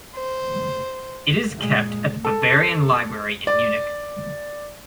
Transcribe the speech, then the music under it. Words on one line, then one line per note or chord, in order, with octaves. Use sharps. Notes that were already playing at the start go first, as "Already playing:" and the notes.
It is kept at the Bavarian library in Munich.
C5
A#2 G#3
A4
D5